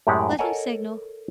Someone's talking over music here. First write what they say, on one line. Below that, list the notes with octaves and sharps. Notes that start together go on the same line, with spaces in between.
"Let him signal."
F#2 A2 G#3 G4 D5 F#5
A4 A#4 C#5 D#5 F#5 G#5